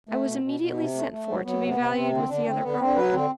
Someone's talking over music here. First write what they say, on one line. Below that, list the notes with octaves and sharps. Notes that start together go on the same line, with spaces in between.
I was immediately sent for, to be valued with the other property.
A3
B2
B2
B2
C3
A3
A3
F#3
F#3 B3
C3
B3
C3
C4
C3
D3 C4
D3 D4
D3 C4
D3 B3
D3 C4
F#3 B4
D3 C4